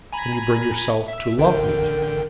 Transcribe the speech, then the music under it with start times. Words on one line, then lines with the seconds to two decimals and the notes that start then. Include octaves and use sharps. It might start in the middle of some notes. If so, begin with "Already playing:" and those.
Can you bring yourself to love me?
0.13 G#5 A#5 B5
1.08 E5
1.38 A1 D3 A#4 G5